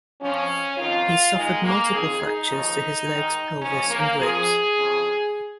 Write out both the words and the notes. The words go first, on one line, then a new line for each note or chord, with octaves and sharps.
He suffered multiple fractures to his legs, pelvis and ribs.
F2 F3 C#4
F2 D#3 F4
G#2 D#3 G#3
A#3
F2 D#3 G#4
D#4
D#2 C#3 F3
G#2 D#3
D#2 C#3 F3 C#4
A#3
F2 F3 G#4
F2 C#3 F3